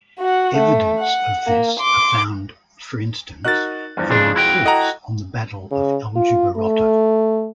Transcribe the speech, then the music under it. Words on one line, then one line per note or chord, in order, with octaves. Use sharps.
Evidence of this are found, for instance, from reports on the Battle of Aljubarrota.
F#4 F#5
A3
F#5
A#3
C6 D6
D#4 F#4 A#4 F#6 A6
E2 G2 F3
F2 C#3 G#3 D4
E4 F#4 G5
A4 D#5 F#5 A#5
C#3
F4
A3